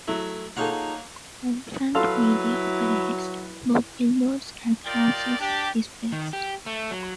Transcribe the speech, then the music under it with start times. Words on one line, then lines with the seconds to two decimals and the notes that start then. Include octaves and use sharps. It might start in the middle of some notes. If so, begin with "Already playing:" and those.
Outfront Media operates both billboards and transit displays.
0.08 F#3 A3 E4
0.57 A#3 D#4 F4 G#4 A4 C#5 F5 F#5
0.71 D#4
1.95 F#3 E4 A4 B4 F5 C6
4.86 F4 G4 A#4 D5 D#5 G5
5.39 D4 G4
6.12 D#3
6.33 G4
6.66 A3
6.91 F#3